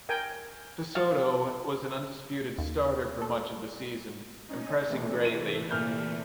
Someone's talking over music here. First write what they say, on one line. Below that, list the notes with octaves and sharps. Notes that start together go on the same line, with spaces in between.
Pessotto was an undisputed starter for much of the season, impressing greatly.
A#4 G5 G#5
F4 F#4 F5
D#2
A4
C#4 D#4
C3 E3 A3
D#7
A#2 F6 G6